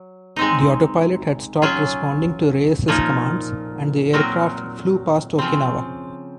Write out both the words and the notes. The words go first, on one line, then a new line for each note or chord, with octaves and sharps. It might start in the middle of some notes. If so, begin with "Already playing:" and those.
The autopilot had stopped responding to Reyes' commands and the aircraft flew past Okinawa.
Already playing: F#3
G#3 C4 D#4
F#3 C#4 F4 G#4
A#2 F3 A#3 D#4
A#2 F#3 C4 F#4 A#4
C#3 F3 C4